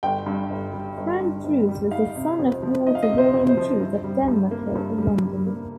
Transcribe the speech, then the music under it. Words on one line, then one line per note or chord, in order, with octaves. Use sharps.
Frank Druce was the son of Walter William Druce of Denmark Hill, London.
G1 G5
G2
G1
G3
G1
G2
G1
G3
D#4 F5
C3
F2
F3
D#4 D#5
F5
D#5
C3
C5
F2
C5
F3
G2
G3
G2
A#3
G2
G3
G2
A#3